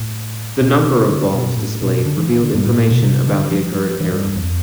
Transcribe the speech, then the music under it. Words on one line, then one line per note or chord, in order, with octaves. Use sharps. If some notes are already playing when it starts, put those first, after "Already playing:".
The number of bombs displayed revealed information about the occurred error.
Already playing: A2
B2
C3
D3
B2
A2
B2
D3
E3
E3
D3
G2
A2
A2
B2
C3
D3
F3
E3
G2
G2
F2